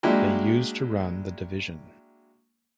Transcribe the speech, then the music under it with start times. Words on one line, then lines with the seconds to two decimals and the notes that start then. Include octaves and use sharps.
The used to run the division.
0.03 F#3 G#3 A#3 D4 E4 G4